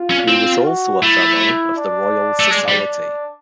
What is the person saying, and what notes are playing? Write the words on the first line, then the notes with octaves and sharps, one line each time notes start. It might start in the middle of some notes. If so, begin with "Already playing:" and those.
He was also a fellow of the Royal Society.
Already playing: F4
C#4
C4
F#4
A3 E4
D4
A3
G#3 D4
G3